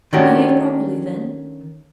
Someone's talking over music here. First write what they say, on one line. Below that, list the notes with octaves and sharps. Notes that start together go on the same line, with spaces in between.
'Behave properly, then.'
D#3 A3 C#4 D4 F#4 G4